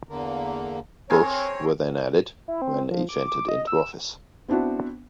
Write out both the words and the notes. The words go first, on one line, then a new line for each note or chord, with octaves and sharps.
Bush were then added when each entered into office.
E2 D3 A#3
C4 G#4 A#4 C#5
E4
C4
F3
D6
D6
D#5
E6
B3 C4 D4 E4 F#4